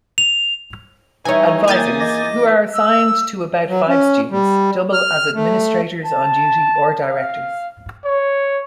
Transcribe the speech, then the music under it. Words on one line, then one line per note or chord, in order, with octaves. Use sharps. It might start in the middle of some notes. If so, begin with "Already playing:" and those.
Advisors, who are assigned to about five students, double as administrators-on-duty or directors.
F7
E3 G3 D#4 C#5 G#5
E2 A#3 G#5 D#6 G6 A6
D#5 D6 A#6
E6
F#3
C#4
G3
F6
A3
A5
F5
C#5